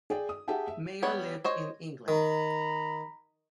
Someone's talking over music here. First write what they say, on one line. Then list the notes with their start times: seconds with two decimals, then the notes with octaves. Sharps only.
Mayer lived in England.
0.10 G#4 D5 G5
0.29 D#6
0.48 G4 G#4 E5 F#5 G5 A5
0.68 E5
1.02 G3 B3 C#5
1.44 C5 C#5 D#5
2.08 D#3 A#5 B5